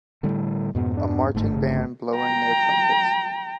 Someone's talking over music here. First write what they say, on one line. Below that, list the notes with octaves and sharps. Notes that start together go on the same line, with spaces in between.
A marching band blowing their trumpets.
A2 D3 G3 A3
F2 G#2 B2 B3
D4
G1 G#2 A3
C#3
G5 A#5